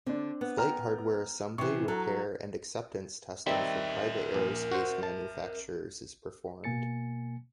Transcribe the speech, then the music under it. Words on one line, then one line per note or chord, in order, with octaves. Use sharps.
Flight hardware assembly, repair, and acceptance testing for private aerospace manufacturers is performed.
D3 C4 D4
B3
G5 A#5 F6
C3 E3 C#6
F#3 A4 A#5
D#3 G3 C4 A#4 E5
A#1
F#4 C5
A5
B2 A#3 G#5 A6 C#7